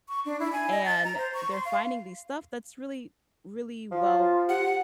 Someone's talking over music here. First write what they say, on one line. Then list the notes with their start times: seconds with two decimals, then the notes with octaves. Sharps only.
and they're finding the stuff that's really, really well
0.08 C#6
0.26 D4
0.40 E4
0.52 G#5
0.72 D#5
0.85 A6
1.04 A#5
1.18 C5
1.34 C#6
1.52 C6
1.65 F5
3.91 F3 F4
4.49 G4 F#5